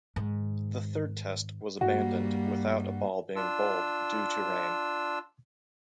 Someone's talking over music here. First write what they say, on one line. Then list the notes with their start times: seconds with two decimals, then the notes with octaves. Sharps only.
The Third Test was abandoned without a ball being bowled due to rain.
0.16 G#2 D#3
1.81 G2 G3 A#3 F#4
3.36 D4 F4 E6